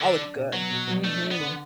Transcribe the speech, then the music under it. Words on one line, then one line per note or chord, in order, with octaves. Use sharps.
Oh, it's good. Mhm.
D3 A4
D4
B2
F#3 B3
B2
B2
A3 D4
D4
B3
D3